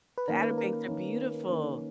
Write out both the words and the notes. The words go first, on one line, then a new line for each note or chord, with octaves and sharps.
The Outer Banks are beautiful.
B4
D#3 A#3 C#4 A#4
B4
A#4
D#3 A#3 C#4
D#3 A#3 C#4